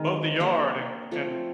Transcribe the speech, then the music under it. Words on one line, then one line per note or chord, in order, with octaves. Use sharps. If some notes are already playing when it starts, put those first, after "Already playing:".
Mow the yard and and,
Already playing: D#3 G#3 C4
A#3 D4 G4 A#4
F3 A3 C4